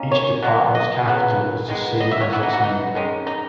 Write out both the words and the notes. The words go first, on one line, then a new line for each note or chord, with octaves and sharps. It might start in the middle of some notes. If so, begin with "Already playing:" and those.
Each department's capital is the same as its name.
Already playing: D#3 A#3 C#4
C#5
B2 F#3 A#3
D#5
C#3 F#3 B3
D#3 G#3 B3
D#5
E5
C#5
E3 B3 E4
D#4
F#4
D#4
D#3 G#3 C#4
D#4